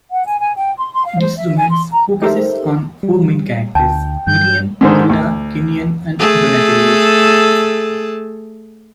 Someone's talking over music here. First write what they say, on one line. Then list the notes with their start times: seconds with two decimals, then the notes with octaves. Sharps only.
This romance focuses on four main characters: Miriam, Hilda, Kenyon, and Donatello.
0.11 F#5
0.27 G#5
0.40 G#5
0.56 G5
0.77 C6
0.93 C6
1.06 F5
1.20 C5
1.37 E5
1.58 G#5
1.69 C6
1.91 A#5
2.22 D#4 G4 A4 A#4 C5 E5
3.03 G3
3.75 D2 G5 A5
4.27 G2 G6
4.81 G#2 D3 D#3 C5
5.10 D2
6.19 A3 G#4 A4